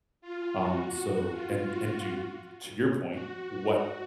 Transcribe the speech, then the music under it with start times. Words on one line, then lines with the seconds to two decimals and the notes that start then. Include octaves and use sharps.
um, so, and and do to your point, what
0.21 F4
0.58 F#4
0.94 F#4
1.30 F4
1.66 F#4
3.10 F#4